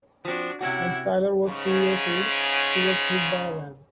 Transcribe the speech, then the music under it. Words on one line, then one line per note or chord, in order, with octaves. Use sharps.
When Styler was two years old, she was hit by a van.
F3 C4 D4 F#4
C3 C#4 E4 F#4 F#5
G#2 C#3